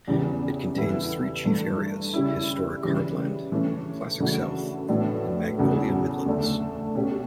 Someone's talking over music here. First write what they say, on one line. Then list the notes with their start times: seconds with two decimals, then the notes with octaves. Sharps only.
It contains three chief areas: Historic Heartland, Classic South, and Magnolia Midlands.
0.08 E2 C#3 E3 G3
0.76 E3 G3 B3 E4 A4
1.45 G2 E3 A3
2.14 C#3 G3 C#4 E4
2.83 C#3 E3 G3
3.52 E3 A3 C#4
4.20 C#3 E3 A3 D4 F#4
4.89 A2 E3 B3 D4 F#4
5.58 E2 C#3 F#3 A3
6.26 D2 D3 A3 D4
6.95 B2 A3 C#4 G4